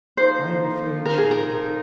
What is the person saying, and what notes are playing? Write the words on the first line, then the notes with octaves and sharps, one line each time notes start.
'I'm afraid she would.
F2 F3 A#3 D#4 C5
F2 F3 A#3 D#4
F2 F3 C4 D#4 A#4
G#4
A#4
F2 F3 C4 D#4